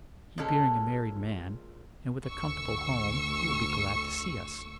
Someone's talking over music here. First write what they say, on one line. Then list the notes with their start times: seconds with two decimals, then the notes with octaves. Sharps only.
He being a married man, and with a comfortable home, he will be glad to see us.'
0.38 A#2 G#3 C#4 A4
2.26 D2 C#6 E6